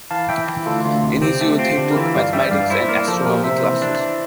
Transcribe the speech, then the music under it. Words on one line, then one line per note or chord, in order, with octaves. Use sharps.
In his youth, he took mathematics and astronomy classes.
E3 F5 A5
E3 E5 G5
E3
D2 F4 A4
D2 F4
C3
C4 G4
A3 G4
C4 F4
D3 G4
A#4
E3 F4 A4
G2 D5 F5
G3 E5 G5
G2 D5 F5
E4 C5 E5
A#3 A#4 D5
F3 A4 C5
A#2 G4 A#4
C3 C5 E5
E3
D4
E3